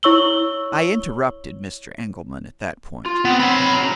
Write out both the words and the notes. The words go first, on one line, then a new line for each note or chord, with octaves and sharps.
I interrupted Mr. Engelman at that point.
E4 C#5 C#6 E6 F#7 G7
F4
B3 C4
C#5 B5
C#3 F#3 A#5